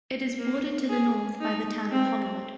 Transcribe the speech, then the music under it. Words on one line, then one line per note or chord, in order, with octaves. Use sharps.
It is bordered to the north by the town of Hollywood.
A#3
G#4
D#4
C4